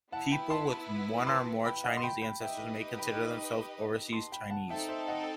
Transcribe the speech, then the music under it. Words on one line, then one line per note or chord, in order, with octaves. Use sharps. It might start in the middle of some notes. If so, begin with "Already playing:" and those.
People with one or more Chinese ancestors may consider themselves overseas Chinese.
B3 E4 B4 F#5 A5
G5 B5
A5 C6
A5 C6
G5 B5
D#5 F#5
C6
G5 B5
G5 B5
D#4 G4 B4 D#5 E5 G5
G5 B5
A5 C6
G5 B5
F#5 A5
C4 D#4 A4 E5 G5
C5 E5
D#5 F#5